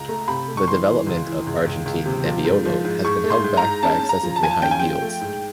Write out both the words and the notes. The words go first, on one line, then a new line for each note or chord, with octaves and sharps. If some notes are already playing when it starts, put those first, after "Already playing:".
The development of Argentine Nebbiolo has been held back by excessively high yields.
Already playing: C#2 A#5
A3
C3 B5
A3
C#6
E3 C6
E3
C#2
E3
C#2
C#2
C#2
C3
F3
G#2
F3
G#2
G#2 C#6
A3
C6
G#2
A#5
G#2
C#4 A5
C#4
A#5
F3
A5
F3 G#5
A5
C#4 G5
G#5
F3 G5
A3
G#2